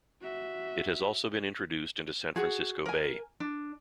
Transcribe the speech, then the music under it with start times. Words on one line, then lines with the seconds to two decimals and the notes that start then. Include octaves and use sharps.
It has also been introduced into San Francisco Bay.
0.21 F#4 E5
2.36 F#4 G#4
2.86 A#4 G#5
3.40 D4